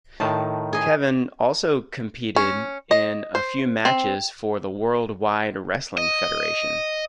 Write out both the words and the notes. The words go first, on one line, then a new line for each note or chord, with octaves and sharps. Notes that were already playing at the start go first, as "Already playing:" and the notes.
Kevin also competed in a few matches for the World Wide Wrestling Federation.
A2 D#3 A5
G#4 D#5
C#4
D#5
C5
C4
D#5